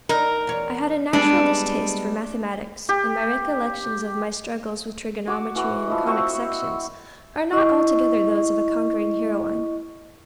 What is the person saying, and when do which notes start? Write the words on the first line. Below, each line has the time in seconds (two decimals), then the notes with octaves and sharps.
I had a natural distaste for mathematics, and my recollections of my struggles with trigonometry and conic sections are not altogether those of a conquering heroine.
0.09 D#4 A#4
0.47 E2 C#5
1.13 G3 G#3 B3 D4
2.89 G4
5.27 F#4 D6
5.56 E3 F#4
5.88 F3 E4 D#5
6.07 C4 F#4 C#6
7.52 E4 D#5 C#6